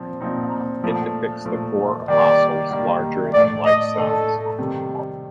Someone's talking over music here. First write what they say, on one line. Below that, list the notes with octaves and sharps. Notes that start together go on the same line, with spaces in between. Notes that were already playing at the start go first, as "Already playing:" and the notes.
It depicts the four apostles larger-than-life-size.
Already playing: A#2 F3 C4
A#2 F3 C4 D#4
A#2 F3 A3
A#2 F3 A3
D#3 G3 A#3 D5
D#3 G3 A#3
A2 A3 D4 D5
D#5
A2 A3 D4 A4
C3 D#3 G3